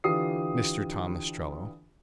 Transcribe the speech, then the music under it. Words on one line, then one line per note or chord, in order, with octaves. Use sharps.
"Mr. Tom Ostrello."
D3 E3 F4 G4 D#6 C7